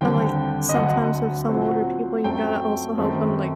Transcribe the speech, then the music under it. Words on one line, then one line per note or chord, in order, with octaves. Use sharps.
And, like, sometimes with some older people, you gotta also help them, like,
D#2 D3 G3 C4 G5
D#5
D2 D3 F#3 F#5
A#2 F#3 C4
F#2 F#3 A3 C4 G5
F#2 D#3 A3 C4